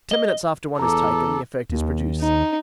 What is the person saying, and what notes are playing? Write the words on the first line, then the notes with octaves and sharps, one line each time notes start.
Ten minutes after one is taken, the effect is produced.
D#5
E2 A4 A#5 D6
D#2
D#4